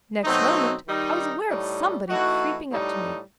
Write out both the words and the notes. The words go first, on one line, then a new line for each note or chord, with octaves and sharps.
Next moment, I was aware of somebody creeping up to me.
B2 F#3 A3 C4 D#4
D#3 G3 D#4
A2 G3 D#4
E3 A3 D#4 F#4
A2 G3 D#4